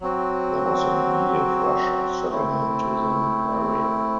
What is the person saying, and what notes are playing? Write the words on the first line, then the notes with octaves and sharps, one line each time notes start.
There was an immediate rush of settlement to the area.
F#3 C4 F#4
A3 C4 E4